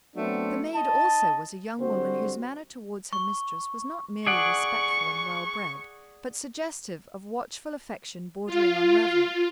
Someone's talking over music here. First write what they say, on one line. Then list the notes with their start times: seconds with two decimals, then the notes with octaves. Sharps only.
The maid also was a young woman whose manner towards her mistress was not merely respectful and well-bred, but suggestive of watchful affection bordering on reverence.
0.16 F#3 A3 B3 C4 D4
0.74 D#4 D#5 A5
1.80 D3 G3 C4 F#4 C5
3.13 C#6
4.27 G#4 D5 F#5 C#6
8.46 F4